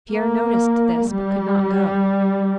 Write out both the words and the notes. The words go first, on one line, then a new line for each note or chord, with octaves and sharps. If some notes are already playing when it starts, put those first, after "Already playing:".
Pierre noticed this but could not go.
A#3
G3